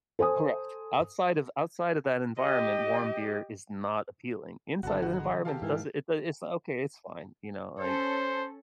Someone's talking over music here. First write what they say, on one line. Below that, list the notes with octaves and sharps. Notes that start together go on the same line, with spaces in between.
Correct, outside of outside of that environment, warm beer is not appealing, inside the environment, it doesn't it do it's not okay, it's fine, you know, like
A4 C5 G#5 D#6
G4 D#5
G#1 D3 D#3 B3 F#4 A4 C5
C3 F#4
G#4 A#5 D#6
G4 A4 F5
G#2 D#3 E3 F6
C#4 A4 C5